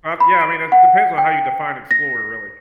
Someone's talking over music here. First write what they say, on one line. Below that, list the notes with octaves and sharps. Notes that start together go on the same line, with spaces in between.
Uh, yeah I mean, it depends on how you define explorer, really.
B5
D7
F#5
G5
A#6